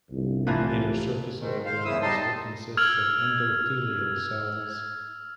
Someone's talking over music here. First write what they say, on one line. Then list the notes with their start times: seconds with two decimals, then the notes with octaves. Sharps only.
The inner surface of the blood vessel consists of endothelial cells.
0.10 G1 C2
0.47 A2 E3 F3 A#3 B4
1.38 G#2 D#3
1.66 C5 F5
1.85 E2 C#3 E4 D#6 E6
2.02 G3 D#4 D#5 A5 C6
2.77 E6 F6 G#6 F7 F#7